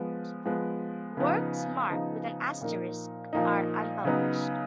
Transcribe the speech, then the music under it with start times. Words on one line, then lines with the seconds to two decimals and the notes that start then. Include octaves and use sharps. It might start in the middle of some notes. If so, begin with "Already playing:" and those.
Works marked with an asterisk are unpublished.
Already playing: F3 G#3 B3
0.45 F3 G#3 B3
1.17 C#3 F3 B3 D#4
1.89 C#3 F3 B3 D#4
2.61 A#2 F3 A#3 D#4
3.33 A#2 F3 A#3 D#4
4.05 C#3 F#3 B3 D#4